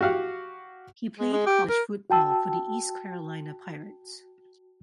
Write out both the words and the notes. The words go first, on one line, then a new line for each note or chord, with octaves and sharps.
He played college football for the East Carolina Pirates.
F#4 G4 F5 F#5
G#3
G#3
G4
A#4
F#4 G5 A5 E6